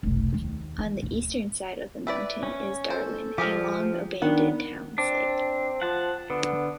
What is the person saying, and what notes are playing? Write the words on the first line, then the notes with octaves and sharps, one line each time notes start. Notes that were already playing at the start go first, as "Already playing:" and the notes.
On the eastern side of the mountain is Darwin, a long-abandoned town site.
F1 B1
D#2
E3
D1
E4 B4 D5
C#4
A4 C5
F3 G4 G#4 A#4
D#3 B3 D4 F#5
C4 D4
F3 F#5 A5
D3 B3